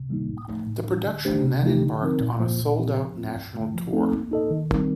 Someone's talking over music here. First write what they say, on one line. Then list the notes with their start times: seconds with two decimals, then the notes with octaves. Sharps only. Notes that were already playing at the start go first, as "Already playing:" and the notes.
The production then embarked on a sold out national tour.
Already playing: C3
0.09 D#3 G3 A#3 D#4
0.29 A2
0.48 F3 A3 D#4
0.67 A2
0.86 G3 D4
1.05 D3
1.25 A3 D4 G4 C5
1.44 C3
1.63 F3 A3 D#4 G4
1.82 D3
2.01 F3 C4 D#4 A#4
2.21 A#2
2.40 F3 A#3 F4 C5
2.59 A#2
2.78 F3 C4 G4
2.97 F3
3.16 C4 F4
3.36 G2
3.55 D3 A3
3.74 F3
3.93 A3 C4 D#4 A4
4.13 A#3
4.31 D#4 A4 D#5
4.51 D#3
4.71 G3 C4 D#4 A#4